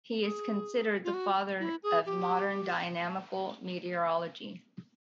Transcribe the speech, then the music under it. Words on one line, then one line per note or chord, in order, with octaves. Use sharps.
He is considered the father of modern dynamical meteorology.
G#4
F4
F#4
E4
G#4
G4